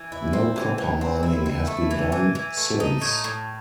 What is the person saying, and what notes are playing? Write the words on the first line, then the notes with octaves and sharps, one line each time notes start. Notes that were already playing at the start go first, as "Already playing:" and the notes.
No copper mining has been done since.
Already playing: E3
E4
C4
E3
E3
C4
E4
E4
A3
E3
E3
E3
A3
D#4
A2
A2